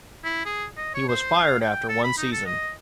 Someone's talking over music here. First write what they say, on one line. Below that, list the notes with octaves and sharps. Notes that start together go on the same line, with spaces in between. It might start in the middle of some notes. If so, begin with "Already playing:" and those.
He was fired after one season.
E4
G#4
D#5
C#5
C5
F5
G5
A4
B5
D#4
A4
D#5